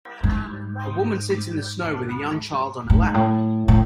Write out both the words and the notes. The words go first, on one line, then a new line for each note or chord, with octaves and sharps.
A woman sits in the snow with a young child on her lap.
G#2
A2
G#2
A2
A2